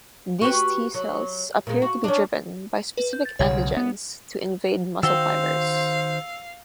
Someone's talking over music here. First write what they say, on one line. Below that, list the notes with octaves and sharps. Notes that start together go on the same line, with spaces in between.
These T cells appear to be driven by specific antigens to invade muscle fibers.
F#4 G4 B4
F#3
A#2 G#3
F#4
C#4 D4
B4
G6
A6
B1 C#3 C#5 F#5
B3
D#3 F#4 C5 F5 G5 E6